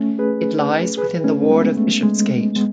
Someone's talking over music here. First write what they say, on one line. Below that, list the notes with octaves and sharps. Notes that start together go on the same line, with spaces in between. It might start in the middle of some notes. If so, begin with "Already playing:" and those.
It lies within the ward of Bishopsgate.
Already playing: A3 C#4
G#4 B4
G#4 B4
A3 C#4
G#3 B3
A3
G#3
G#3 B3